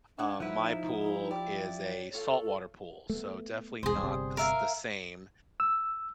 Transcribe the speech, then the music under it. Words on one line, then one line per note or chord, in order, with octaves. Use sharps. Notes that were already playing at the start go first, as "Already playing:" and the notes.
Um, my pool is a saltwater pool, so definitely not the s the same,
D4 D5 F#5 G#5
F3 D#4 E4 B4 E5 F#5
G4 D5
C#5
F4 A4 C#5
A3 B3
E1 C2 G#4 C5
G1 C3 G3
A#4 E5 F5
E6